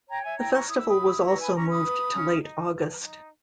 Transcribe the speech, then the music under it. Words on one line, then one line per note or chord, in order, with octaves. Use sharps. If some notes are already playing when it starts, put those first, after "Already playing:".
The festival was also moved to late August.
C#5 G5 A#5
E5 G#5
E4 G5 A#5
A#5 C#6
E4 D#6
E6
B5 D#6
E4
B4 A#5 C#6
G#5 B5
C#4 A#5 C#6
B5 D#6
B4
C#4
D#4
B4
D#4